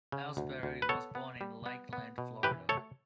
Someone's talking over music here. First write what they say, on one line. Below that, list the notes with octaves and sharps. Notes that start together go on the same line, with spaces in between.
Elsberry was born in Lakeland, Florida.
C#3
D2
D2
B4
B3 A4 C#5
B3
G3
B3
B3
B2
E3 G4 B4
A3 A4 C#5